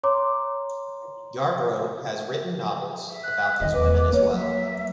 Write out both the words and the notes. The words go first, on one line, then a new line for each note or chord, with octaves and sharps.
Yarbro has written novels about these women as well.
C#5 A#5 C6 D6
E5
F#6
D#1 D#3 D#5
E2 B4 D6
A#3 C#5
F#3 E5